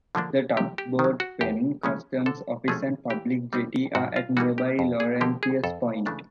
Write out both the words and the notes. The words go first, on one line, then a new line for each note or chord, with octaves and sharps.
The tugboat pen, customs office and public jetty are at nearby Laurentius Point.
D3 F3 A#3 D4
C3 G4
G4
D#3
F#3
F#4
E2 G4
C#3 F3 G#3 C#4
D3 A4
F3 A3 C#4 G#4
E3 G4
G3 C4 D#4
G#2 F#4
F4
E3 G3 A#3 D#4 F#4
G4
F2
G#4
D3 F3 A#3 G4
G#4
F2 A4
C#3 E3 A3 D4